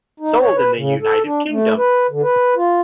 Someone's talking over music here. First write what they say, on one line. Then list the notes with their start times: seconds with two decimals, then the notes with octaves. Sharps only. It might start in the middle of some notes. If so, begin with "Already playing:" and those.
Sold in the United Kingdom.
0.20 D#4
0.40 C#5
0.56 B4
0.77 C#3
1.02 A4
1.25 D4
1.49 A3
1.78 B4
2.10 D3
2.23 B4
2.56 F4